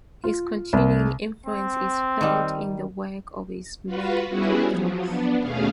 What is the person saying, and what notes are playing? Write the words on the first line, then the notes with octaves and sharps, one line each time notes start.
His continuing influence is felt in the work of his many pupils.
F4
C2
C4
D#3 G3
F4 F#4 B4
G3 B3 C#4 E4 F#4 G#4
F3 F#3
B3 D4
D#2 B2 A3 C#4 G#4 F5